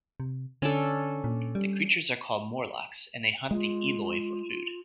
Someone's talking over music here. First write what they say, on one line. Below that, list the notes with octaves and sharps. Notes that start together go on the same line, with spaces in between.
The creatures are called "Morlocks" and they hunt the Eloi for food.
C3
D3 C#4 D4 A4
A#2
G3
G#3 F4